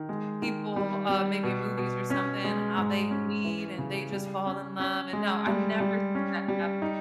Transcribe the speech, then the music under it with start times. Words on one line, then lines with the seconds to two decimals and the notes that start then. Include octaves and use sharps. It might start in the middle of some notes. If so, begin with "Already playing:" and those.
people, uh, maybe in movies or something, how they meet and they just fall in love, and, no, I never see that happening.
Already playing: D#3
0.09 G#3
0.42 D#3
0.76 G3
1.09 G3
1.43 B2
1.78 B2
2.10 C#4
2.44 G#3
2.77 G#2
3.11 C#4
3.45 E3
3.78 C#3
4.12 G3
4.46 C#4
4.80 C#4
5.13 G#3
5.47 G3
5.80 G3
6.15 C#4
6.48 G3
6.82 D#4